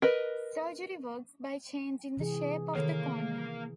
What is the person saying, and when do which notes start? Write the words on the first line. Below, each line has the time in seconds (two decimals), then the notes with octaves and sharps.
Surgery works by changing the shape of the cornea.
0.02 A#4 B4 D#5
2.17 C3 E3 G#4
2.75 D#3 A#3 A4 A#4 C#5